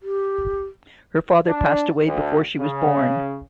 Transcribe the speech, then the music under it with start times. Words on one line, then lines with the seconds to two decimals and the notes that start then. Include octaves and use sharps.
Her father passed away before she was born.
0.01 G4
1.47 D4
2.06 D2
2.58 C#3